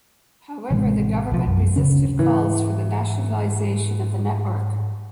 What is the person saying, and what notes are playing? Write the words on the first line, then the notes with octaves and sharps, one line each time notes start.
However, the government resisted calls for the nationalisation of the network.
A1 C3 G#3
B1 F3
F#2
D1 D#2 C#3 C#4
G#2 E3